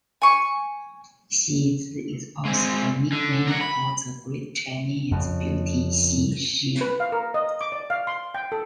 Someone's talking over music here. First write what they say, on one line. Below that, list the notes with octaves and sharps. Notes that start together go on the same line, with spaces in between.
Xizi is also a nickname for the great Chinese beauty Xi Shi.
G#5 C#6
G#3 C4
D3
A#4 F#5
B5
F2 C#3
B4
F5
A#4
D#5
D6
D5
F5
C6
G5
A4